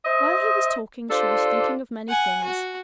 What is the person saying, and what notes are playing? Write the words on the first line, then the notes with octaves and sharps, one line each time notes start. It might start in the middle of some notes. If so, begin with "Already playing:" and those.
While he was talking, she was thinking of many things.
C5 D#5 E5
D4 F4 G4 A4 C5 D5
F#5 G#5
F#4